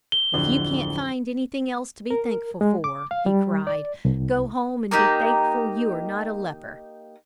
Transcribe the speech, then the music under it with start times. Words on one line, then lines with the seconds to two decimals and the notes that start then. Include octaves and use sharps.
"If you can't find anything else to be thankful for," he cried, "go home and be thankful you are not a leper!"
0.12 G7
0.34 D1 F2 D3
2.10 A#4
2.61 G#3
2.84 D6
3.11 F5
3.26 G3
3.67 D5
4.05 C2
4.91 A#3 D#4 G4